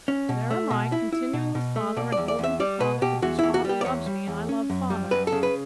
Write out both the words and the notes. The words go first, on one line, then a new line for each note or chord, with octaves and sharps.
There am I, continuing with father and holding to father, because father loves me and I love father.
C#4
B2
A3
B2
E4
E4
B2
B2
A3
B2 D5
D5
E2
D5
E2 E5
G3 D5
B2 B4
B2 G4
E2 F#4
E2 E4
F#4
G3 G4
D5
E2 C#5
G3
E2
C#4
F#2
G3
F#2 B4
A4
C#3
B4